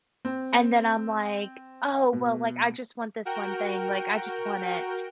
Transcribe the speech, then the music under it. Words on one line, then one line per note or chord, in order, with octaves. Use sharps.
and then I'm like, "Oh well, like, I just want this one thing, like, I just want it,"
C4
B2
F#4 A#4 G5